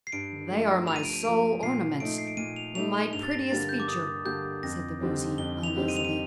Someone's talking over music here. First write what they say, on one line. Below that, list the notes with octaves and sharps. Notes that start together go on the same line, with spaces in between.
"They are my sole ornaments, my prettiest feature," said the Woozy, uneasily.
C7
G2 D7
F3 A3
G2 F7
D#7
D7
D#7
F3 A3 D7
A#2 C7
A3 D#4 D7
C7
D7
A#2 D#7
F7
A3 D#4 F7
G7
G2 F7
A6
A#6
D3 G3 A#3 D4 A6
G6
D6
G2 D#6
D3 G3 A#3 D4 G6
F2 A#6
D3 G3 C4 D#4
F2 G7
F7
D3 G3 C4 D#4
D#7
F7
D#7